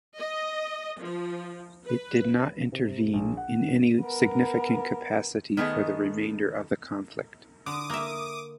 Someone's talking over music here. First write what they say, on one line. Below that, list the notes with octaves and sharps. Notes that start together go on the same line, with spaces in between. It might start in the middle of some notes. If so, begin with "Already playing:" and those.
It did not intervene in any significant capacity for the remainder of the conflict.
D#5
F3
B4
C3
A#1
F#5
B3 A#4
D#3 A3 B3 G#4 D#5
D3 D6 D#6
A#3 E5